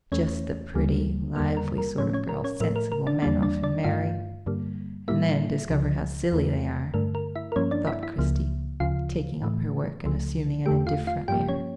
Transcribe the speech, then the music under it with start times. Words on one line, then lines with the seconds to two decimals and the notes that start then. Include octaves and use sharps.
"Just the pretty, lively sort of girl sensible men often marry, and then discover how silly they are," thought Christie, taking up her work and assuming an indifferent air.
0.12 E2 E3 A3 C#4 C#5
0.75 D2 C#3 G3 A#3
1.36 E2 D3 G3 A#3 A#4
1.57 A#4
1.78 A#4
1.98 A2 F3 A3 C#4 C#5
2.13 C#4 C#5
2.29 A#4
2.44 C#4 C#5
2.60 A2 F3 A3 A#4
2.76 A#4
2.92 A#4
3.07 D4 D5
3.22 E2 E3 G3 A#3 D4 D5
3.43 D4 D5
3.64 D4 D5
3.84 G2 D3 A3 F4 F5
4.46 G2 D3 G3 A#3
5.08 A2 G3 A#3 E4 E5
5.70 C#2 C#3 F3
6.32 E2 E3 A3
6.94 G2 D3 A3 A#4
7.15 A#4
7.36 E4 E5
7.52 A#4
7.56 G2 F3 A#3 C#4 C#5
7.71 D4 D5
7.87 E4 E5
8.03 E4 E5
8.18 C#2 C#3 F3 A#3
8.80 D2 C#3 F3 F4 F5
9.42 A2 E3 A3
10.04 C#2 C#3 F3 A3
10.66 E2 D3 A3 G4 G5
10.87 F4 F5
11.07 F4 F5
11.28 G2 F3 A#3 G4 G5
11.49 C#4 C#5